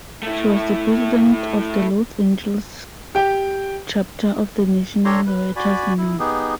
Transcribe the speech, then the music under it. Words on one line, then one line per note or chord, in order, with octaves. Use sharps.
She was the president of the Los Angeles chapter of the National Writers Union.
A3 E4
G4 G5
D4 G4 A4 C#5 A#5 C6
B4
F#4 D5 G#5 B5
E4
B3 D#4 G4 G#4